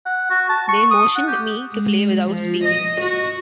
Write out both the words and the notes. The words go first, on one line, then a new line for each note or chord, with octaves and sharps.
They motioned me to play without speaking.
F#5
F#4
A5
C#6
D#6
F#5
G4
G#3
F3
D#5
F#4